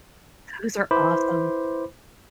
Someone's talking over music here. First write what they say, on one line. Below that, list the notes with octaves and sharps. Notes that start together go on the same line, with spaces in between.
Those are awesome.
E4 B4 C5 B5 D6